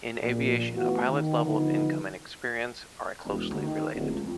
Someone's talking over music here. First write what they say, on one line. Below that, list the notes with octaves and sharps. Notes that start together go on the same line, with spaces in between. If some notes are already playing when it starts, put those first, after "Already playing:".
In aviation, a pilot's level of income and experience are closely related.
A#1 A#2
E3 A3 B3 F4 F#4
D#3
D3 D#3 F3 B3 D#4
E1
D2
D#3
D1
C#2
F2